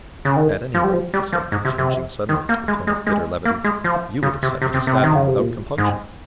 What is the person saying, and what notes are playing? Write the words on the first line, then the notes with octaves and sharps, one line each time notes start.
"At any rate," he said, changing suddenly to a tone of bitter levity, "you would have sent me to stab him without compunction."
C#3
D#3
F3
G3
F3
G3
F3
G#2
C3
C3
D#3
A#3
G#3
G#3
G#3
A#3
G#3
F3
C#3
C3
C3
C3
C3
D#3
C#3
C3
A#2
G#2